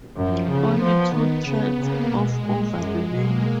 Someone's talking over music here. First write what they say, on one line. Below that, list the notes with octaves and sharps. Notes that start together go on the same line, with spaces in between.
Only two tracts of over remain.
F#2 F3
C#3 B3
F3
D#3
C#3
C#3 A#3
B2 G#3
A#2
F#2
B2 A#3